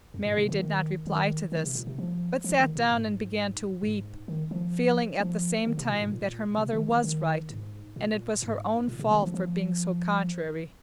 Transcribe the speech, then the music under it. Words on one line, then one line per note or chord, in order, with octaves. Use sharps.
Mary did not reply to this, but sat down and began to weep, feeling at the same time that her mother was right and it was her own fault for being so contrary.
F2
G#2
C3
D#3
D#3
D#3
D#3
C3
A#2
C3
F3
F3
D#3
A#2
G#2
G#2
D#3
F3
F3
D#3
C3
A#2
G#2
A#2
C3
D#3
D#3
D#3
G#2
A#2
G#2
A#2
C3
D#3
F3
F3